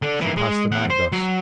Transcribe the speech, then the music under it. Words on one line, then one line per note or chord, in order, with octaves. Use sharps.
She passed the night thus.
D3
E3 A#3
G#3
E2 F#5
C5
F#3